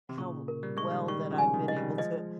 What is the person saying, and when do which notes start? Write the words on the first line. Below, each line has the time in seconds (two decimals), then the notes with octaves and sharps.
how well that I've been able to
0.09 C3
0.18 A#2 C#3 C#6
0.48 A#4
0.63 G3
0.77 G#3 C#6
0.91 D#3 G3
1.08 D#3 G3 C#6
1.31 C#3 F3
1.38 G#5
1.47 C#3
1.54 C3 D#3
1.68 D#5
1.76 D#3 G3
1.98 F3 G#3 D#5